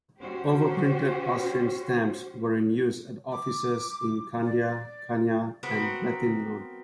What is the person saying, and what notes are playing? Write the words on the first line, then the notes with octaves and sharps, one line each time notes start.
Overprinted Austrian stamps were in use at offices in Kandia, Khania and Rethymnon.
C#4 F#4 G4 C5
D6
D5
B3 C4 F#4 A#4